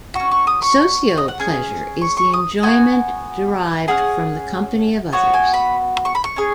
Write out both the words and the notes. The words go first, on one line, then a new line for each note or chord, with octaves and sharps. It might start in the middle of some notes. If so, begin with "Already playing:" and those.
Socio-pleasure is the enjoyment derived from the company of others.
C#4 F#4 C#6
C#6
D#6
C#6
D#5
F#5
C#4 G#4 G#5
C#6
C#6
D#6
B3 F#4 G#5
C#4 G#4 F#5
B3 F#4 C#5
G#5
B5
C#6
B5
C#6
C#4 G#4